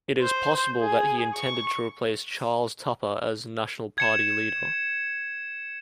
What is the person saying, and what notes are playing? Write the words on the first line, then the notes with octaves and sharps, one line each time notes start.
It is possible that he intended to replace Charles Tupper as national party leader.
C5
G#4
C#6
G#6 C#7 E7